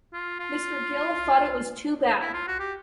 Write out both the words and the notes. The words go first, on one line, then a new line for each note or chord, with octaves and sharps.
Mr. Gill thought it was too bad.
F4
F4
E4
F4
F#4
G4